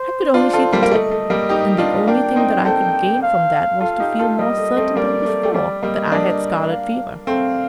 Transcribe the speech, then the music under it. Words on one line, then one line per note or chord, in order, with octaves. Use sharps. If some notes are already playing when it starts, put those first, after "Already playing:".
I could only see the tip, and the only thing that I could gain from that was to feel more certain than before that I had scarlet fever.
Already playing: C5
D4 F4 C5
F4 A4
G3 A#3
A#3
A3 D#5
A3
G3 A#3
D#4 G4
D4 F4
A#3 D4 G5
C4 D#4
A4 C5 G5
F5
F4 A4 F5
D#4 G4
F4 A4
G3 A#3 D#5
A3
A3 C4
G3 A#3 D5
A3
A3
G3 D5
G3 A#3 D#5
A#3 D4
F5
A3 C4 F5